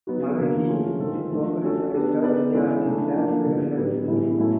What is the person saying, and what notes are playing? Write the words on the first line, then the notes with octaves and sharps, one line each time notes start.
Magahi is spoken in the west of India and is classified under Hindi.
F#3 B3 D#4 F#4
D3 F#3 A#3
F#3 A3 C#4 F4 G#4
D#3 G#3 C4 F4 A4
F3 A3 D4 F4
A3 C#4 F#4 A4
B3 D4 G4
B3 D#4 G#4 B4 D5
E3 G#3 C#4 E4 G#4
C#3 E3 A3 D4
F3 A#3 D4
D3 G3 B3 E4
A2 F#3 B3 D#4 G4
A2 E3 G3 B3 E4
A2 F#3 A3 C#4 E4